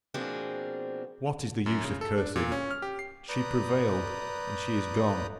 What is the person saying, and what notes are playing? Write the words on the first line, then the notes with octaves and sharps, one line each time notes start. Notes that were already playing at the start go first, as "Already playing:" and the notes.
"What is the use of cursing?--she prevailed, and she is gone."
B2 F3 A#3 C4 D4 G#4
F#2
C#3
A4
D4
A#2
C#4
F6
G4
C7
B4 D5 A#5 D#6 F#6 G6